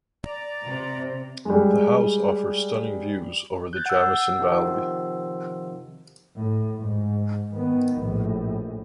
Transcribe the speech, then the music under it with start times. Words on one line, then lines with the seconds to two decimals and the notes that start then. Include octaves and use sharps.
The house offers stunning views over the Jamison Valley.
0.25 D5 A#5
0.63 C3
1.45 G3 G#3
3.73 F#6 G6 A6
3.86 F#5 E6
4.39 C3 D#3 F3
6.36 A2
6.83 G#2
7.53 D#3 B3
7.99 A#1 A2